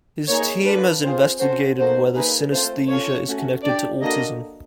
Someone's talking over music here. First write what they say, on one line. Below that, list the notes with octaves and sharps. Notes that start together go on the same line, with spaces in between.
His team has investigated whether synaesthesia is connected to autism.
A#3 D#4 G#4 C#5
D4 F4 A4 B4
C4 F4 G#4 C5
C#4 F#4 A4 C5
A#3 D#4 F#4 A4 C5
A#3 D#4 G#4 B4
A3 C4 F4 A4 C5
C#4 F4 A4 C#5
A3 C#4 F#4 A4
D4 G4 D5
A#3 D4 F#4 A4 D#5